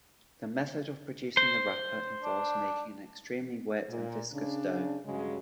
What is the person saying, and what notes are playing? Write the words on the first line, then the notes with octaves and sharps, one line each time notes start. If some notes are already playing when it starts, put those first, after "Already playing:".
The method of producing the wrapper involves making an extremely wet and viscous dough.
C5
D4
A#2
C#3 D4
G2 C#3 F#3 G#3